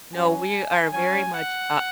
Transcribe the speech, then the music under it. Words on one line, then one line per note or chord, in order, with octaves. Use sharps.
No, we are very much up.
F#3 C#4 G#5
F#3 C#4 G#5
F#5